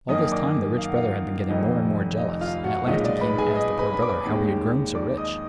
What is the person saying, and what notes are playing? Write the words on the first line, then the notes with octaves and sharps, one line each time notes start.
All this time the Rich Brother had been getting more and more jealous, and at last he came to ask the Poor Brother how he had grown so rich.
F#2 D#3 A#3 D#5 D#6
D5 D6
F5
F#5
F4 F5
F1 F2 D#3 D#5
D#5
F4 F5
F#4 F#5
B1 A#2 G#3 D#4 D#5
D5
B4 B5
G#4 G#5
D#5 D#6
B4 B5
B5
D5 D6
D#2 D#3 G#3
D5 D6
D#5 D#6